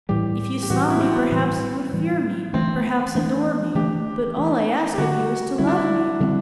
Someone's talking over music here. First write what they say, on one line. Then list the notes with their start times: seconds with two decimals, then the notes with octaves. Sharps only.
If you saw me, perhaps you would fear me, perhaps adore me, but all I ask of you is to love me.
0.09 A2 E3 G3 G4
0.62 G4
0.70 A2 E3 G3 F#4
0.90 E4
1.01 C4
1.12 B3
1.32 A2 E3 G3
1.93 A2 E3 G3
2.53 E3 A3 C4 D4
3.15 E3 A3 D4
3.75 E3 A3 D4 G4
4.37 E3 A3 D4
4.94 G4
4.98 D3 G3 C4 F#4
5.58 D3 G3 C4 E4
5.67 D4
5.76 E4
6.20 D3 G3 C4